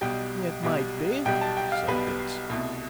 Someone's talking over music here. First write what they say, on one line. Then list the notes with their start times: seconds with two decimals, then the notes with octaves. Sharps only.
"It might be," said Bince.
0.01 B1 B2 G3 G5
0.63 B1 B2 G3
1.25 B1 B2 G3 G5
1.41 A5
1.57 G5
1.72 F5
1.87 B1 B2 G3 B4
2.49 C2 B2 A3